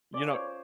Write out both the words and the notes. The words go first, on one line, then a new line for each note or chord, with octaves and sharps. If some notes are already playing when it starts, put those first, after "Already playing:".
you know
G#3 C#4 F4 D5
C5 C#5